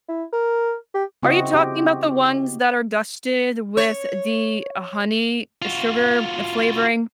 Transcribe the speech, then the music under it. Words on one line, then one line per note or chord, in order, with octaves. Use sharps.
Are you talking 'bout the ones that are dusted with the honey, sugar flavoring?
E4
A#4
G4
C#3 C4 E4 F#4 D#5
G4
C#5
F4 F#4